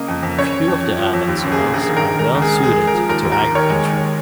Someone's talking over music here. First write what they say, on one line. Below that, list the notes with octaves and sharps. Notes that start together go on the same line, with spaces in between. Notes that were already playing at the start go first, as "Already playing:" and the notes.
Few of the island's soils are well suited to agriculture.
Already playing: C#3 A#3 D#5
F2
F2
C#3 C#5
C#3
F2
F3
F3
F2
D#2
C#3
G#4
A#3
A#1 G#4
D#3
A#4
D#3
G#3 A#4
C#2
G#4
G#3
G#3 G#4
G#3
A#4
F3
D#2 A#4
D#2
A#4
D#2
D#3 C#5
G#3
D#3